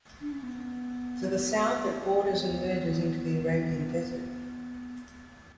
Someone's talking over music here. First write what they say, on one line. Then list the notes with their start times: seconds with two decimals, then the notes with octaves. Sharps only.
To the south it borders and merges into the Arabian Desert.
0.21 D4
0.32 C#4
0.43 B3
2.24 B3